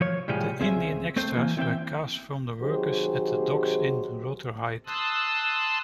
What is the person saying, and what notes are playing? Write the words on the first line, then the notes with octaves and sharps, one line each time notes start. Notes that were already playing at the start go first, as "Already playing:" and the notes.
The Indian extras were cast from workers at the docks in Rotherhithe.
F3 C#5
A2 C3 F3 G3 G#4
C#2 C4 G#4 E5
A3 C4 C5
E3 A#3
E3 C4 E5 G5
C3 D#3 F#3 G4 G#4 C5
A5 C6 D#6 E6 F#6